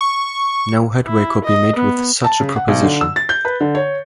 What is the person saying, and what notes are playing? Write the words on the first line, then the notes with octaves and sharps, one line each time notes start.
No headway could be made with such a proposition.
C#6
E4
D#5
B3
A5
C#3
F#5
B1
D3
E6
A6
G6
B4
D3
C#5